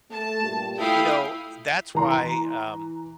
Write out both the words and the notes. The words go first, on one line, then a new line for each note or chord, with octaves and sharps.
you know, that's why, um,
A3 A5
G2 A#2 G4
A3 E4 F4 F5 G5 D#6
E3 A#5 C6